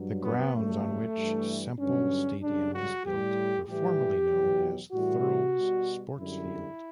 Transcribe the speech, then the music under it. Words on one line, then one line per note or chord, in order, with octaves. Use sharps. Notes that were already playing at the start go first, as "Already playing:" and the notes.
The grounds on which Semple Stadium is built were formerly known as Thurles Sportsfield.
Already playing: G2 F#3
B3
F#2 C#3 G3 A3
G2 E3 G3
G2 D3 F#3 C#4
F#2 C#3 G3 D4
F#4
A2 G3 G4
A2 E3 G3 G4
E2 B2 F#3
A2 E3 G3 F#4
B2 G3
F#2 D3 G3 E4